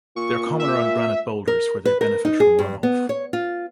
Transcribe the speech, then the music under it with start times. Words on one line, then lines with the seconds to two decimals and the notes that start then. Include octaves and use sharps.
They are common around granite boulders where they benefit from runoff.
0.16 A#2 C#6
0.59 E5
1.47 A#4
1.85 B4
2.01 A#4
2.25 D#4
2.40 G#4
2.59 G2
2.83 B3
3.09 C#5
3.33 F4